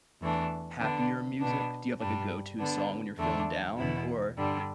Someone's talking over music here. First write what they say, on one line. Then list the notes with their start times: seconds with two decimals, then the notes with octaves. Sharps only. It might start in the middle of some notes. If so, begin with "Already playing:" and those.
ha happier music? Do you have, like, a go to song when you're feeling down, or
0.21 E2 E3 A3 D4
0.80 D3 B3 D4
1.40 B2 B3 D4
2.00 G2 G3 D4
2.59 D3 B3 D4
3.18 E2 D3 A3 D4
3.78 E2 B2 B3 E4
4.37 G2 D3 G3 D4